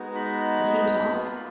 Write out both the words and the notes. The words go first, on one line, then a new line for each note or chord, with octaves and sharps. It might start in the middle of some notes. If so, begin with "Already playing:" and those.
"Does he talk?"
Already playing: G#3 B3 D#4 F#4
B5
A#3 F4